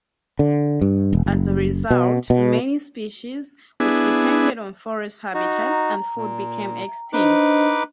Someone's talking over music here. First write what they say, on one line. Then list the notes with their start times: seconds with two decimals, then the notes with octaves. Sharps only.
As a result, many species which depended on forest habitats and food became extinct.
0.39 D3
0.81 G2
1.13 E1
1.26 F#1
1.91 B2
2.30 B2
3.80 B3 D4 E4 G#4
5.34 D#4 F#4
5.71 A#5
6.17 A#2
7.13 D4 D#4 B4 C5 D#5 D6